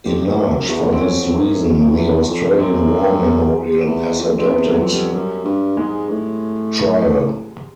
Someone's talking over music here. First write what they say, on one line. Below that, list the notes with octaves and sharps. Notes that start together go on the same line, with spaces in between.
In large, for this reason, the Australian War Memorial has adopted "Trail".
F2 G4
F#2
F#2
F#2
E2 F#4
C4
F2 C#4
F2
F#2
F2
F#2
F2
E2
F2
F#2 C4
E2
F2
C4
E2 B3
F#3
F2
G3
F#2 G3
G2
G#2 G#3
A2